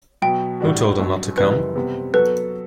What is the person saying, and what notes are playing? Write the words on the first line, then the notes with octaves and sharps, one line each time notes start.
Who told him not to come?
B2 F#3 B3 G5
A2 G3 D4 F#4
A1 G2 F#3
F#1 F#2 E3 G3 B4
C3 G3 B3
F#3 B3 F#4 A4 B4